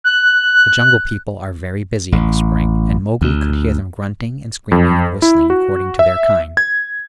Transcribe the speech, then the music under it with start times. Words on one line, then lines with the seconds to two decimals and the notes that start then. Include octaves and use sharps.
The Jungle People are very busy in the spring, and Mowgli could hear them grunting and screaming and whistling according to their kind.
0.04 F#6
2.12 A1
3.21 D2
4.72 F2
5.22 E4
5.50 F#4
5.99 E5
6.57 G#6